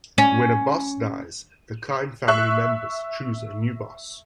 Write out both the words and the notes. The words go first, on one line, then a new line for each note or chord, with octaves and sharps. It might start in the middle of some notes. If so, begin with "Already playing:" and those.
When a boss dies the crime family members choose a new boss.
C#4
E5 C#6 F#6 C7